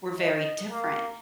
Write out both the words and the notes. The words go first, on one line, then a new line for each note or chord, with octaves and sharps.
we're very different.
D#5
A#3